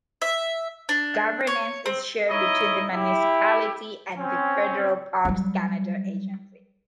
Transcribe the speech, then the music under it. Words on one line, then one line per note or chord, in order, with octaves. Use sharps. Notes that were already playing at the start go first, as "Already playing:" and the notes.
Governance is shared between the municipality and the federal Parks Canada agency.
E5
D4
C#5
C4
D#4 E4 C#5 D#5
E4 G4
C4 C#4
F#3 G3